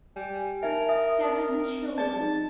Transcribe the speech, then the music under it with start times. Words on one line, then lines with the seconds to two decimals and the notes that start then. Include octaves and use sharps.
Seven children!
0.16 G3 G#5
0.63 D#4 A#4 E5
0.89 E5 D#6
1.49 C4
1.98 G#4 D5 A5
2.20 D#4